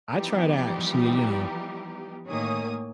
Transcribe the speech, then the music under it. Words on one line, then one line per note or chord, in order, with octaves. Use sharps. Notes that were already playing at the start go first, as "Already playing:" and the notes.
I try to actually, you know,
E3 F3 G3 B3 D#4 G4
A2 D#3 A#3 C#5 G#5 D#6